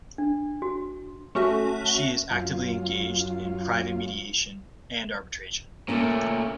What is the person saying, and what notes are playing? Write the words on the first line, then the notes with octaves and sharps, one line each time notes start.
She is actively engaged in private mediation and arbitration.
D4
F#4
A3 C#4 F#4 E5
F#2 F4
A#2 A3 A#3 C#4